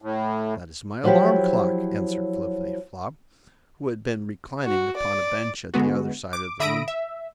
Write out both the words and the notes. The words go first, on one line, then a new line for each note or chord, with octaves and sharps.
"That is my alarm clock," answered Flippityflop, who had been reclining upon a bench at the other side of the room.
A2
F3 F#3 E4 F#4 G4 C5
F#4
D5
D3 G#3 B3 F#4
D6
D3 E5 B5 D#6 A#6 D7
E5